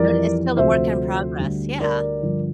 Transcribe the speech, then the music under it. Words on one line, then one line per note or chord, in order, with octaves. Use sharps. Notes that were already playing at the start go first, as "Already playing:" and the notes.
But it's still a work in progress, yeah,
Already playing: F2 E3 G3 A#4 D5
D2 C3 F3 C5 E5
D2 D3 G3
A#4 D5
G2 D3 F3